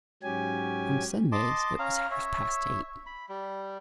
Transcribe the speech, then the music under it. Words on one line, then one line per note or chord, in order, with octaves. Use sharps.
On Sundays it was half-past eight.
G#2 F#3 C#4 G4 G#5
D#5 A5 C6 D6
C#4 F5 A#5
C#5 E5
B5
G3